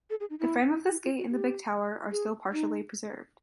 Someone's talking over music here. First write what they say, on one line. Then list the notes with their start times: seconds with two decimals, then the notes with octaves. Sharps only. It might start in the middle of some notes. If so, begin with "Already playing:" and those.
The frame of this gate and the big tower are still partially preserved.
0.10 A4
0.20 G#4
0.30 D#4
0.40 E4
0.90 E4
1.04 F4
1.18 F#4
1.31 G4
2.12 G#4
2.53 D#4